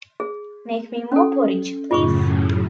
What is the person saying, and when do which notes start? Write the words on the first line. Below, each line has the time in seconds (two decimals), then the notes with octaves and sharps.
Make me more porridge, please!
0.20 G#4
1.12 C#4 A4
1.91 F#2 A2 C#3 F4 G#4 C#6